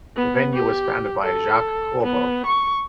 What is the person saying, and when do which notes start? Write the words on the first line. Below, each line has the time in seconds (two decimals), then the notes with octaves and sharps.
The venue was founded by Jacques Corbo.
0.16 B3
0.53 G4
1.22 A4
2.03 B3
2.46 C#6